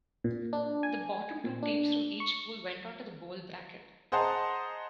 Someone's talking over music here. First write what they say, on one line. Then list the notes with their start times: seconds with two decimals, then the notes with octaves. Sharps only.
The bottom two teams from each pool went on to the Bowl bracket.
0.24 A#2
0.53 D4
0.83 G#5
1.44 A#2
1.63 D4
2.20 C#6
4.12 G#4 C5 D#5 F#5 A5 A#5